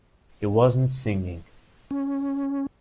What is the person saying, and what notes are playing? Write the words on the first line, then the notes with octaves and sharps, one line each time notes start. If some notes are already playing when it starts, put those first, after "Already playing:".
He wasn't singing.
C#4